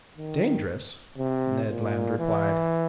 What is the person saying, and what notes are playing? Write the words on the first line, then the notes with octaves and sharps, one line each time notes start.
"Dangerous?" Ned Land replied.
D#3
C3
A#2
E3